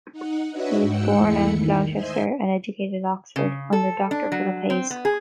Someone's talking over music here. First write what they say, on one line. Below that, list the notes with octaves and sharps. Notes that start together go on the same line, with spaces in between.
He was born at Gloucester, and educated at Oxford under Doctor Philip Hayes.
D#4 F#5
D4 F#4 B4 C#5 D#5 E5
G#2 F#5 G5 E6 C#7
E2 G#3 A3 E4 B5 C#7
D#3
C5 D#5 E5 G#5 C6
C#3
A4
D4
F#3
C4
B3
G#4